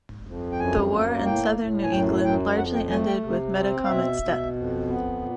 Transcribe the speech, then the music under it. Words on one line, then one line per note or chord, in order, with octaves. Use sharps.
The war in southern New England largely ended with Metacomet's death.
F2
G5
F#2 G#5
A#3
A2 G5
A2
G#5
F#2 G5
F#2 G5
F2 F#5
G5
A3 G#5
G5
C3
C4
F5
B2 E5
B2
F2
B3
A#2